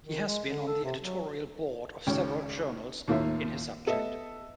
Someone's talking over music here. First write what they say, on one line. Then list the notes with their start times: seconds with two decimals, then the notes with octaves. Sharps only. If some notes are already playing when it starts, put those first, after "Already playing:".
He has been on the editorial board of several journals in his subject.
0.04 D#3
0.27 G#3
0.49 D3
0.67 A4
0.84 C3
1.00 F#3
2.07 G#1 C#2 C#4 G5
3.08 D#2 A2 A#3 F4 E5
3.86 B3 A4 D#5 E5